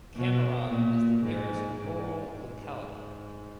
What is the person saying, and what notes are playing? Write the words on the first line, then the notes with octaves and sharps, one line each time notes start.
Komarov is the nearest rural locality.
B2
A#2
G#2
G#2
G#2